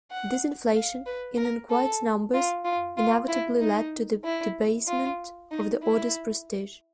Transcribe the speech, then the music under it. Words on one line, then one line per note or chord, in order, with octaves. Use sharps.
This inflation in equites' numbers inevitably led to the debasement of the order's prestige.
F#5
F5
B4
A#4
A4
F4
F4
F4
E4
D#4
E4
F4
D#4
E4